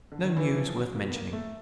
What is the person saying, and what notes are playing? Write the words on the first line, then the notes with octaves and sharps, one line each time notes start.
No news worth mentioning.
D3
D#3
E3
F3
F3
F#3
A#3
B3
A#3
A3